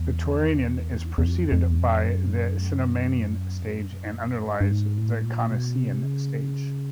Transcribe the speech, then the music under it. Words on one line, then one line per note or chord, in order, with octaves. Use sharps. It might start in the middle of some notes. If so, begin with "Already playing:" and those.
The Turonian is preceded by the Cenomanian stage and underlies the Coniacian stage.
Already playing: E2
E2
F2
F2
E2
F2
F#2
F2
F#2
G2
G2
G#2
A2
A#2
B2
C3
C#3